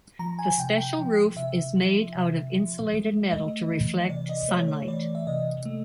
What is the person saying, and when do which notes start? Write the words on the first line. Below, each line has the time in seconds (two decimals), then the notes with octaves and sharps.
The special roof is made out of insulated metal to reflect sunlight.
0.19 F3 A#5
0.39 G#5
0.58 C3 G5
0.78 G5
0.98 F3
1.36 C3 E5
1.76 F3
2.15 C3
2.54 F3
2.92 G#3
3.31 A3 D#5
3.70 E3
4.09 C3 D5
4.29 D#5
4.48 A3 C#5
4.68 C#5
4.87 E3 D5
5.15 E5
5.27 C3 D#5
5.65 A3